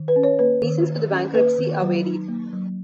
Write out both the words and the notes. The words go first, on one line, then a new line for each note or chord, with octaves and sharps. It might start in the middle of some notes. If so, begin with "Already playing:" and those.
Reasons for the bankruptcy are varied.
Already playing: D#3
B4
C#4
C#5
A#3 B4
D#3
D#3
C#4
A#3 B4
D#3
F#3
D#4
A#3
F#3